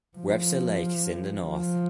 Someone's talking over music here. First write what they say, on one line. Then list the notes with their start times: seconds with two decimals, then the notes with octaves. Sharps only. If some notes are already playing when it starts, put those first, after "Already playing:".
Webster Lake is in the north.
0.17 F3
1.47 F3